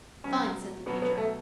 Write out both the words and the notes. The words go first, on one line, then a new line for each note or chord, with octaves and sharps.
"Fine," said the Major.
B2 F#3 C#4
B2 F#3 B3
B3
A3